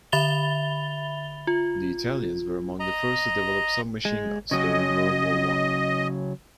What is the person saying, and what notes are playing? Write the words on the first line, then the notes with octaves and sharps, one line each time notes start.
The Italians were among the first to develop submachine guns during World War One.
D3 E5 B5 A6 F7 G7
F4
D#5 A#5
G#3
C#3 F#3 C#4 D#5